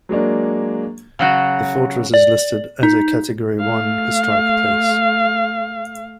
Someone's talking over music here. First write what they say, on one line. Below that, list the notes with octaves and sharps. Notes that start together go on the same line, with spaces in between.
The Fortress is listed as a Category One Historic Place.
F#3 G#3 A#3 D4
C#3 F#3 F#4
D5
D#4
A3 F5